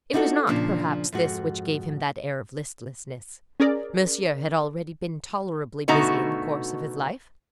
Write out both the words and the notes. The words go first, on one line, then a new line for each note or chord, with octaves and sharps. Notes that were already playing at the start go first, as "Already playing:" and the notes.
It was not, perhaps, this which gave him that air of listlessness. Monsieur had already been tolerably busy in the course of his life.
D4 D#4 F4 F#4 G#4 A4
A#2 C#3 F3 D4
F2 G#2 F#4
C#4 G#4 A#4 D5
B2 D3 A3 D#4 F#4 A#5